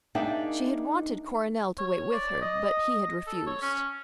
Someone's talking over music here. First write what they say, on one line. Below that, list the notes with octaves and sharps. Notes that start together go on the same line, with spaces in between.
She had wanted Coronel to wait with her, but he had refused.
A#3 D4 D#4 G#4 E5 G5
C#5
D5
D#5
A4
C#5
C#4